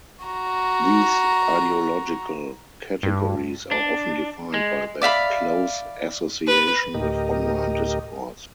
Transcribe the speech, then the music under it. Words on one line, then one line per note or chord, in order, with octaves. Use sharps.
These ideological categories are often defined by their close association with online discourse.
F#4 A#5
G2
D4
G#3
D5 E5 F5 B5
B4
D2 A2 G4 A#4 D#5